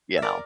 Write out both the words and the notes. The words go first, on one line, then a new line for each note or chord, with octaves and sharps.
you know?
E5
A#4 D5